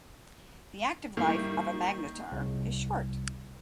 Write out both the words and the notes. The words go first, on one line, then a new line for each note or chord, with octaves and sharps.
The active life of a magnetar is short.
D#3 G3 A#3 E4
C2